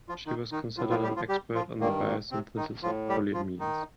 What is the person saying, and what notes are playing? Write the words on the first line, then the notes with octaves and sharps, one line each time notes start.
She was considered an expert on the biosynthesis of polyamines.
F3 F4
D#3 D#4
D#3 D#4
A2 F3 F4
F3 F4
G3 G4
F3 F4
G3 G4
F3 F4
G2 A#2 D#3 A#3
A#2 A#3
C3 C4
D#3 D#4
A2 F3 F4
G3 G4
F3 F4
D#3 D#4